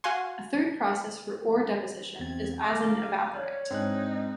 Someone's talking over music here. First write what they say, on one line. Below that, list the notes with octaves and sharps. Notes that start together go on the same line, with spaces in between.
A third process for ore deposition is as an evaporite.
F#4 F5 F#5 G#5 C6
E2 C4 G#6 A6
F5 A#5 D6 A#6
C#5 D5
G#2 C4 D4 D#4 F#6